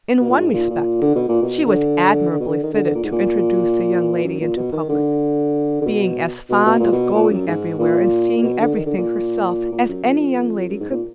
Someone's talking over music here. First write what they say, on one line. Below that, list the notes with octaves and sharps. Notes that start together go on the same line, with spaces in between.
In one respect she was admirably fitted to introduce a young lady into public, being as fond of going everywhere and seeing everything herself as any young lady could be.
B2
A#2
G#2
A#2
A#2
D3
B2
A#2
B2
D3
D3
B2
D3
D#3
D3
D3
A#2
G#2
A#2
F#2
A#2
B2
D#3
D3
D3
B2
B2
B2
A#2
B2
A#2
F#2
G#2
A#2
A#2
B2
D3
D#3
D3
A#2
A#2
F#2
F2
F#2
G#2
A#2